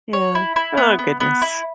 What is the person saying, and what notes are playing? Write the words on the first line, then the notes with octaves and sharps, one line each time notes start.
Yeah. Oh goodness.
C#5
E4
E4
B3
B3
B3
E4